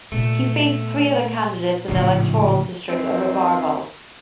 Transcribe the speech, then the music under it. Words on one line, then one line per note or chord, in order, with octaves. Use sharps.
He faced three other candidates in the electoral district of Roberval.
A#2 A3 B3
A#1 A2 C#3 F3
F#2 D#3 E3 C4